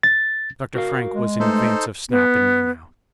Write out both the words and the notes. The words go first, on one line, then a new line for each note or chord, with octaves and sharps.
Dr. Frank was in advance of Snap and me now.
A6
F#4 A#4 F5
G#3
A3 D#4 A4 B4 C5
B3